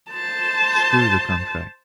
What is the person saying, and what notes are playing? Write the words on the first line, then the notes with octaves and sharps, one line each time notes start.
Screw the contract!
C5 A5